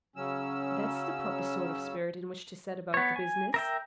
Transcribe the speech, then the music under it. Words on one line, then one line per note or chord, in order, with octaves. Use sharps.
"That's the proper sort of spirit in which to set about the business."
C#3 F#3 C#4 E6
B3 C#5
G#5
A#4 E5 G5